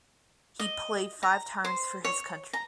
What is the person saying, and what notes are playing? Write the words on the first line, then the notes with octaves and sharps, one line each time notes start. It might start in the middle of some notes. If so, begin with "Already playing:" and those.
He played five times for his country.
D#5
A#5
C5
C#5
A#5